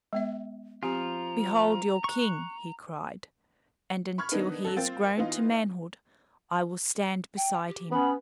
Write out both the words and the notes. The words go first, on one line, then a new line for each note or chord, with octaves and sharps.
"Behold your king," he cried, "and until he is grown to manhood I will stand beside him."
G#3 B3 E5
F3 C4 F4 G4 A#5
C#6 F#6
B5 C#6 F6 G#6
D#3 B3 D4 D#4
F#3 A4
A#3 C4 F4 G5 A6
E3 B3 D#4 F4
G5
G4
B3 C#4 B5